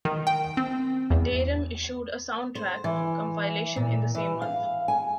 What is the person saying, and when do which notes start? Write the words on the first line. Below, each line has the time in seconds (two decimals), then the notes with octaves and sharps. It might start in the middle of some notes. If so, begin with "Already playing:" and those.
Deram issued a 'soundtrack' compilation in the same month.
0.05 D#3
0.27 G5
0.57 C4
1.10 E2
2.55 C5
2.84 E3
3.76 A#2
4.15 E3
4.42 F5
4.88 G#5